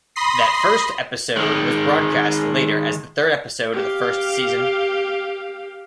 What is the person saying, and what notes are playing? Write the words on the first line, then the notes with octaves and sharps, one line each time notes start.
That first episode was broadcast later as the third episode of the first season.
B5 C6 D#6 A#6 C7
D#3 G#3
G4 F5